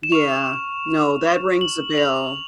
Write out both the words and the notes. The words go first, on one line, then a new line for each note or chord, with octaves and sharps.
Yeah. No, that rings a bell.
E7
C#6 F6 F7
F#7
F7